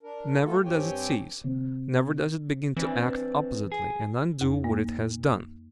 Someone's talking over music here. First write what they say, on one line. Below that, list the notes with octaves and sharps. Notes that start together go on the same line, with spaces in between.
Never does it cease: never does it begin to act oppositely and undo what it has done.
D4 A#4
A3 F4 F#4 A4
G2 C4 G4 C#5 G5 G#5
C3
E3 C4 D4
G#4
F2
A#3